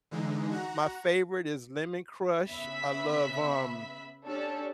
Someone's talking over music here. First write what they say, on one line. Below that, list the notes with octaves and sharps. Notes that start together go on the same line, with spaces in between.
My favorite is Lemon Crush. I love, um,
D3 E3 G#3 D#4
F#4 F#5 A#5
C#3 B3 E5 B5 B6
C#4 D4 G4 A4 C#5